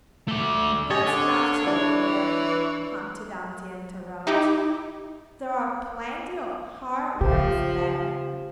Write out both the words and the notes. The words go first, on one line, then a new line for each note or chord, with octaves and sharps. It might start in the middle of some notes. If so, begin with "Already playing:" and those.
'That's enough to begin with,' Humpty Dumpty interrupted: 'there are plenty of hard words there.
A3 D5
G4 C#5 D#5 A6
D3
E3 D4 D5
D#4 E4 G4 D6
C#3 F3 G4